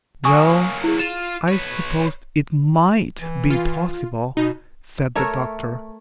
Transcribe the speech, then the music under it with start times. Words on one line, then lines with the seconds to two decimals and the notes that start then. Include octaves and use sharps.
"Well, I suppose it MIGHT be possible," said the Doctor.
0.25 F#3 A#3 G#5 C#6 D#6
0.84 E4 G#4
0.99 F4 E7
1.49 B4 C#5
3.20 E3
3.50 F4
4.37 B2 D#4
5.15 A3 A#4 C#5 E5